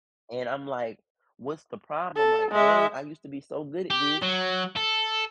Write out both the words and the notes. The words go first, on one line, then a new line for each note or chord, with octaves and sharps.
And I'm like, "What's the problem? Like, dang, I used to be so good at this,
A4
G#3 E5
G4
F#3
A4